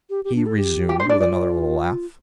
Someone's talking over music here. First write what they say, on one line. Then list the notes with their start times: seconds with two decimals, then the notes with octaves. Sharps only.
He resumed with another little laugh.
0.10 G4
0.24 G4
0.35 D4
0.46 A4
0.57 G4
0.89 F4 G4
1.00 C5
1.04 D4
1.09 D5
1.20 F4 D5